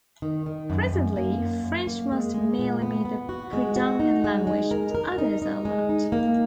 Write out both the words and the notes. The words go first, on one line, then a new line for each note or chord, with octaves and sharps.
Presently, French must merely be the predominant language, but others are allowed.
D#3
D#3
F#2
F#2
A#3
F#2
F#2
A#3
G#3
G#3
A#2
B3
B3
F#4
G#3
F#4
D#4
G#3
G#3
A#4
A#4
D#4
D#4
G#3
D#4
A#3